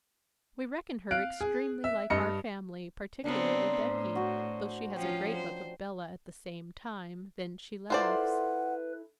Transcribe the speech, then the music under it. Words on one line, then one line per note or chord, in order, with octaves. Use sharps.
We reckon her Extremely like our Family, Particularly Becky; though she has a great Look of Bella, at the Same Time, Then she Laughs.
F5 F#6 D7
G#4
E5
G2 D#5 C#7
C#3 B3 C4 D4 A#4 C5
A2
F#4 C5
F3 C#4 F4 G5
C5
E4 F4 A4 B4 C5 D5 F#5